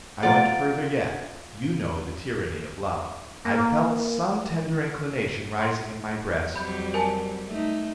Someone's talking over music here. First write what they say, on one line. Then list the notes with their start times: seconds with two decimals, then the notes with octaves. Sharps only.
I went further yet: you know the tyranny of love: I felt some tender inclination rising in my breast.
0.23 F3 A3 F4 D5 F#5 A#5
3.45 A#3
5.62 C6
6.56 F2 F#3 G3 B5 G6
6.94 A#4 G#5 A5
7.48 A3 D#4